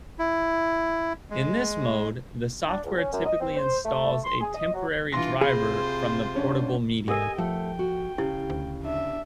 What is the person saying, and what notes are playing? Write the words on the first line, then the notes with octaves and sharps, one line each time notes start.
In this mode, the software typically installs a temporary driver from the portable media.
E4
G#3
D4
C#2
C#4
F#2
D#5
C4
C5
A3
C6
G#4
D#5
F#3
G2 E3 F4 C6 A#6
C3 F4 G#4 C5 B5
G1 C#4 D4
G#2 G4 A4 A#4 D#5 G#5
F3 A3 F#5 G5
F#4
C#3 E4 G4
D2
D4 E5